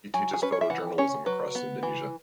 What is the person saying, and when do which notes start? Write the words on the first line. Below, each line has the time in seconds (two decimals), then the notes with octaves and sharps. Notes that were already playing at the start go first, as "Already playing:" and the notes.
He teaches photojournalism across Indonesia.
0.14 F#3 G#5
0.33 G#4
0.42 C#4 B4
0.52 C#5
0.61 E5
0.70 E3 F#5
0.98 C#4 C#5
1.26 F#3 B4
1.55 B3
1.83 E3